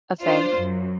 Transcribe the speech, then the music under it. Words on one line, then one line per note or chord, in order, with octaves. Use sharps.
a thing.
D4 F4 C5
F#2